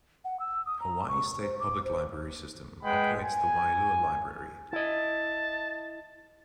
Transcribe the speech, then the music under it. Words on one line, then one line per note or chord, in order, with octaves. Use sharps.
Hawaii State Public Library System operates the Waialua Library.
F#5
E6
D#6
A#5
C#6
C5
D6
C5
G#3 B4 F#5 G5 B5
G#5
E4 D#5 A5